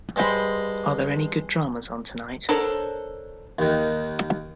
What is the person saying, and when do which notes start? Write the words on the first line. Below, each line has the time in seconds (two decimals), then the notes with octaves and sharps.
Are there any good dramas on tonight?
0.16 G2 G#3 C5 D#5 B5
2.49 D4 A4 A#4 C5 C#5
3.59 D#2 D#3